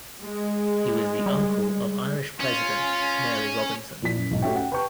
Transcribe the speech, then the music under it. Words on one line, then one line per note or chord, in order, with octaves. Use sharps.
He was the uncle of Irish president Mary Robinson.
G#3
G3
C#4 F4
A#2 F3 E4 B6
F#2
B1 G#2
A3 C#4 F#4 G4 E5 G5
F#5 G5
G4 B4 G5 A5 C#6 G6